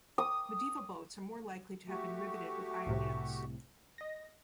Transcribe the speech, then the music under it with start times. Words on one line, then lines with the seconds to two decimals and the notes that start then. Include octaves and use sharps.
Medieval boats are more likely to have been riveted with iron nails.
0.18 D#6
1.88 A3 F#4 G4
2.86 C2 A2 C3
3.98 D#5 A#6